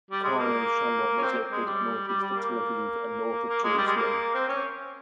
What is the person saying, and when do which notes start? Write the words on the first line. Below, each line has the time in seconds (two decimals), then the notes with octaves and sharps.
Karnei Shomron is located northeast of Tel Aviv and north of Jerusalem.
0.10 G3
0.24 G#3
0.39 A#3
1.18 C#4
1.22 C4
1.51 G#3
1.66 G3
2.07 G3
2.22 G3
2.36 A#3
3.49 A#3
3.63 G#3
3.77 G3
3.87 G#3
3.96 A#3
4.34 C4
4.48 C#4